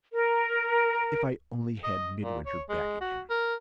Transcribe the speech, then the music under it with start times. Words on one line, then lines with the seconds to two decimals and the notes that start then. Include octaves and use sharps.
"If I only had Midwinter back again!"
0.13 A#4
1.84 D#5
2.22 A#2
2.46 C#5
2.69 G#3
3.01 F#4
3.30 A#4